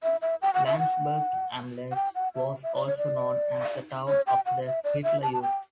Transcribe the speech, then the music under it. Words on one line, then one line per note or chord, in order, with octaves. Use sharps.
Landsberg am Lech was also known as the town of the Hitler Youth.
E5
E5
G5
F#5
E5
F#5
F#5
G5
F#5
E5
E5
D5
C#5
D5
C#5
G5
F#5
E5
D5
E5
A5
A5
G5